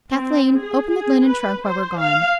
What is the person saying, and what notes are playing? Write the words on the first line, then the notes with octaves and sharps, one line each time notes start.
Kathleen, open the linen trunk while we're gone.
C4
G#4
G#4
B4
C5
F5